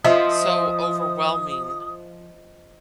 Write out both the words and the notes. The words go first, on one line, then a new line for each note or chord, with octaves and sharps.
so overwhelming
F3 D#5 E5 D#6